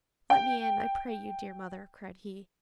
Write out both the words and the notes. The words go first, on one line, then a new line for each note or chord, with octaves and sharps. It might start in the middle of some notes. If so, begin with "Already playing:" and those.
'Let me in, I pray you, dear mother,' cried he.
G5